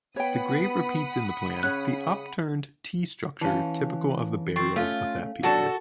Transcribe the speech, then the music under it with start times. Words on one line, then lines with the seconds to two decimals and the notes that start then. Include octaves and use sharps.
The grave repeats in the plan the upturned T structure typical of the burials of that period.
0.16 B3 C#5 F#5 G5 B5 D#6
1.63 C#3 C#4 C#5 F#6
3.41 E3 C#4 F5 A5
4.56 C4 C#6 A6 C7
4.76 A3 C#4 F4 A4 F5
5.43 B2 F#3 D4 F#4 A4 F#5 A5 A6